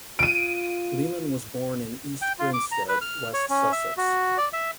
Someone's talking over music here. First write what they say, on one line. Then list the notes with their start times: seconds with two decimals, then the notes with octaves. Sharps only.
Leman was born in East Grinstead, West Sussex.
0.19 F4 D7 D#7
2.22 G5
2.39 F4
2.54 D6
2.72 A#5
2.88 B4
3.01 F6
3.34 C#5
3.50 C#4
3.72 E5
3.98 F#4
4.38 D5
4.53 E5